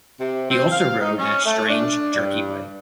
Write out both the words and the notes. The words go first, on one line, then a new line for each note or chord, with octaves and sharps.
He also rode in a strange, jerky way.
C3
C4
F5
D#4
C#4
A3
D4
G2